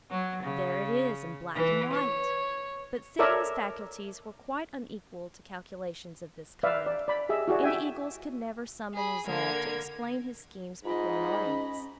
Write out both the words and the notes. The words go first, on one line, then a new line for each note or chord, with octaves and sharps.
'There it is in black and white!' But Sidney's faculties were quite unequal to calculations of this kind, and Eagles could never summon resolve to explain his schemes before an audience.
F#3
C#3
E3
C#5
A4 A#4 C#5 D5 E5
B4 D5 E5 F5
D5
D5 B5
G4 G#4 D#5 E5
E4 F#4 G#4 D5
E5 G5 G#5
G#4 B5
D3 A#3 G#6
G#2 F4 D#5 B5
C#4